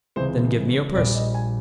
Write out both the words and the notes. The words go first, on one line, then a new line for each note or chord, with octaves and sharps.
"Then give me your purse."
C#2 C3 E3 G#3 C5
A#1 A#2 G3 D5
D#5
G#5